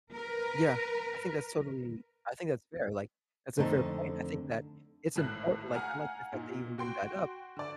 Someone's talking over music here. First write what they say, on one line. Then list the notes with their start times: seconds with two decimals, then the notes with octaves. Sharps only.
Yeah, I think that's totally I think that's fair, like, that's a fair point, I think that it's important, like, I like the fact that you even bring that up
0.13 A#4 B4
3.57 F2 D3 A3 C4 C#4 D#4
5.16 G#1 A2 F#6
5.74 F5 F#5 G#5 A#5 F6
6.33 A#2 D#4
6.78 F#4 G5 C6
7.57 D3 D5